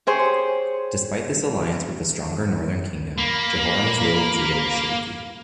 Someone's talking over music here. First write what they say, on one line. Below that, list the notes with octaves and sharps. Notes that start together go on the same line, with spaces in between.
Despite this alliance with the stronger northern kingdom, Jehoram's rule of Judah was shaky.
G4 G#4 C5 C#5
A#3 F5 B5